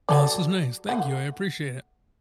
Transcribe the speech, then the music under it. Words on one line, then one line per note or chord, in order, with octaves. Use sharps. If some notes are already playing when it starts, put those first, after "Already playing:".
No, this was nice. Thank you, I appreciate it.
F#3 A4 D5
A3 F#5